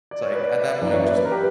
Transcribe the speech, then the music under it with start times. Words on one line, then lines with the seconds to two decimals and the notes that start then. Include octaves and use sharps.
It's like, at that point, just
0.11 D5
0.22 C#5
0.33 B4 D5
0.81 F#2 E3 A#3 B4 D5
0.93 C#5 E5
1.04 B4 D5
1.17 B4
1.25 A#4
1.32 G4 B4